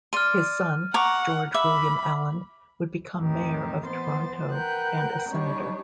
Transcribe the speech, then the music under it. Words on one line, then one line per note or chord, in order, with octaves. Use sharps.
His son, George William Allan, would become mayor of Toronto and a senator.
D5 C6 F6 D#7
F#5 A#5 C#6 D6
E5 B5 D6
F2 A2 D#3 E3 G4
E3 B3 C5 C6 A6
A#4 B4 F#5 G5 F#6 G6
G3 D4 D#4 G4 C#5